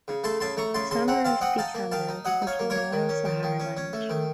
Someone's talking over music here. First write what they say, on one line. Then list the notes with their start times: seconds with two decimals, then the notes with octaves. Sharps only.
The Samburu speak Samburu, which is a Nilo-Saharan language.
0.08 C#3
0.24 A3 A5 C6
0.40 C#3 A5 C6
0.57 A3 A#5 C#6
0.74 C#3 A5 C6
0.91 C#3 A5 C6
1.08 C4 F#5 A#5
1.25 C4 F5 A5
1.41 C4 D#5 F#5
1.58 D#4 F5 A5
1.75 A#3
1.92 D#3 F5 A5
2.09 D#4
2.25 F#3 D#5 F#5
2.42 D#4
2.47 C#5 F5
2.59 A#3
2.70 A#4 C#5
2.76 A#3
2.93 D#3
3.09 C#4
3.25 D#3
3.43 D#3
3.60 C#4
3.77 C#4
3.93 A3
4.10 D#3